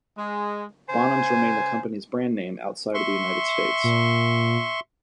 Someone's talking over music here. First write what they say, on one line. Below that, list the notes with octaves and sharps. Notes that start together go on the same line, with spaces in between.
Bonhams remained the company's brand name outside of the United States.
G#3
C#3 C5 G#5
E5 C6 C#6
A#2